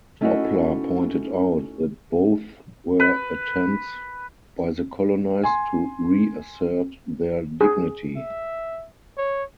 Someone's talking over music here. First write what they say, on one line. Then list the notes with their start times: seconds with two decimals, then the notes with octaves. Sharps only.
Opler pointed out that both were attempts by the colonized to reassert their dignity.
0.21 A3 C#4 D#4 E4 F#4
3.00 B4
5.43 G#5 C6
7.61 G#4
8.17 E5
9.18 C#5